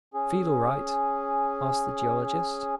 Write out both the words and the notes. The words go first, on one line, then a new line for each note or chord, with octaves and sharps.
"Feel all right?" asked the geologist.
C#4 G#4